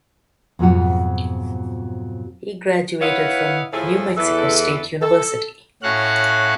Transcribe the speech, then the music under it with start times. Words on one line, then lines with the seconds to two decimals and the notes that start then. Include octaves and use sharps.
He graduated from New Mexico State University.
0.59 F2 G#2 B2 F#3 F4 F#4
3.01 E4 B4 C#5 D#5 F5 F#5
3.73 A2 F3 E4 G#4 A4
4.17 E2 E3 A4
5.01 A4
5.83 A2 C#4 F#4 F5 F#5 F#6